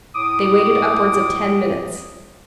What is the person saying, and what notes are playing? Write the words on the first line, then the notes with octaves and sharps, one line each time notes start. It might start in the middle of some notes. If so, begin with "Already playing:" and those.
They waited upwards of ten minutes.
A2 D6 D#6